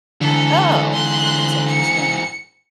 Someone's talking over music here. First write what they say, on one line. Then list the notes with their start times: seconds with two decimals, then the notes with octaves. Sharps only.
Oh, that's interesting.
0.21 G#2 D3 E3 A4
0.93 C6 F#6
1.69 C#7